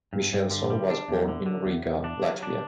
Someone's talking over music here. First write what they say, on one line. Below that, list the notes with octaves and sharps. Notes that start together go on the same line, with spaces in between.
Michelson was born in Riga, Latvia.
G2
G2
D3
G3
D4
E2
D3
D3
E2
E2
D4
F#3
D4